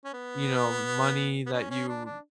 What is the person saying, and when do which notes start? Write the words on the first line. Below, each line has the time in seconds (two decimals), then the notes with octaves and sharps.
you know, money that you
0.05 C#4
0.13 B3
1.46 B3
1.53 C#4
1.71 C#4
1.88 D4
2.05 D4